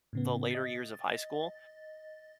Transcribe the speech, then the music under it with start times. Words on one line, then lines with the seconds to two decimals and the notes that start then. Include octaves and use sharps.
the later years of high school,
0.13 A2 C#3 B3
0.51 D#5 A6